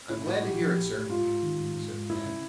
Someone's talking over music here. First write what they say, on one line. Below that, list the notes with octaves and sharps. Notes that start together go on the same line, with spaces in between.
"I'm glad to hear it, sir," said the man.
A2 E4
A2 F#4
A#1 G4
F3
A#1
A2
G#2 F4
G#2
D#3
G#2
G#2
G#2
F#1 E4
C#3